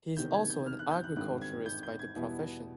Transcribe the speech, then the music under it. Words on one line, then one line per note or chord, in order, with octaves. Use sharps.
He is also an Agriculturist by the profession.
E1 E2 C3 D#3 G6
G#6
G6
F6
F#6
G6
F#6
G#1 G2 D#3 G#3 C4 F#6
G#6
G6
G6
G#6
E2 B2 G3 B3 E4